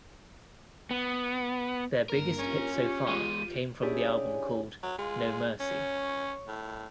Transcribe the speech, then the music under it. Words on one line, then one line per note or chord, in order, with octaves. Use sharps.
Their biggest hit so far came from the album called "No Mercy".
B3
G2 A#3 D4 A#4
C#4 F4 G4
E2 G#3 D#7
C#4 D4 E4 G4 G#4 D5
F#3
G#3 F4
C#4 C#5
A2